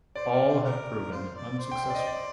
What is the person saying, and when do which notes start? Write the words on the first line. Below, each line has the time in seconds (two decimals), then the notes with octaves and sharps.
All have proven unsuccessful.
0.15 C5 D5
0.32 A#4
0.48 C5
0.64 A#4
1.12 F4 C5
1.36 D5
1.59 C5
1.71 G5
1.84 G5
1.90 D5
1.95 D#5
2.07 D5